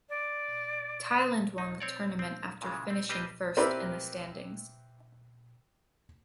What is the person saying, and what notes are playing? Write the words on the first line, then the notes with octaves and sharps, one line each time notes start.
Thailand won the tournament after finishing first in the standings.
D5
D#4
C4 C#5 D5
C4
A#2 C#3 E3 G#3
C4
G3 C4 G4 B4 C5 D#5
C4 E4 G4 A#4 B4 D5